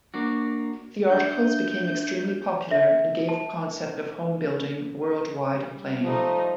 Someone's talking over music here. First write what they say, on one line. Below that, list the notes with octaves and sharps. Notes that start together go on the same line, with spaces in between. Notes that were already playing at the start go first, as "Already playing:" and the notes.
The articles became extremely popular and gave the concept of homebuilding worldwide acclaim.
A#3 D4 F#4
D4 D#4 E5 G6
E5
A5
G3
F3 G3 A3 D#4